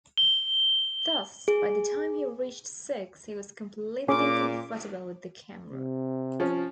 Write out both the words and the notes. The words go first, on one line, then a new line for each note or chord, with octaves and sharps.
Thus, by the time he reached six, he was completely comfortable with the camera.
G7
G#4
A#2 C#4 G#4 D6
C3
F3 C#4